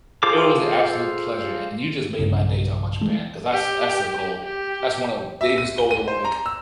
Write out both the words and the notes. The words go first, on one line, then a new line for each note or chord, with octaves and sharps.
It was an absolute pleasure, and you just made my day talking about Japan, 'cause that's that's the goal. That's one of the biggest goals I wanna make.
F4 G#4 A4 C5 D6
B1 G2 C#3
E3 G#3 A3
G4
G4
E5
D#7
G7
D#7
C5
A#5
E6